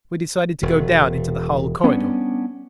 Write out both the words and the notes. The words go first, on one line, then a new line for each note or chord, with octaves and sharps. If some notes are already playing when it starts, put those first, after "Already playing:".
We decided to go down into the hull corridors.
E1
G3 B3 C#4 D4